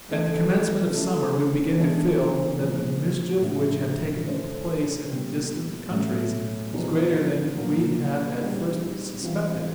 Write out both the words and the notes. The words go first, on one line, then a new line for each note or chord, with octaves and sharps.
At the commencement of summer, we began to feel, that the mischief which had taken place in distant countries was greater than we had at first suspected.
E3 A3 C4 E4 A4
A3 C#4 E4 A4
C#3 E3 G#3 B3 D4
A#2 F3 G#3 C4
A2 F3 A3 D4 F#4
A3 C#4 E4 A4 C5
A#2 G3 B3
A2 F#3 A3 C#4 F#4
F3 G#3 B3 D#4 G4
A#2 F#3 A#3
G3 C4 D#4 G#4
E3 G3 C4 F4